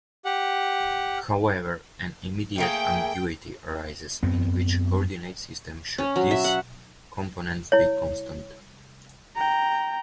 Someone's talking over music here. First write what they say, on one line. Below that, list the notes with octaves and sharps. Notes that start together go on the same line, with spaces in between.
However, an immediate ambiguity arises: in "which" coordinate system should these components be constant?
G4 F#5
A3 A#3 G#4 G5
F#2 B3 C4
C#4
F#3
E5
F#5
E4 C#5
G5 A#5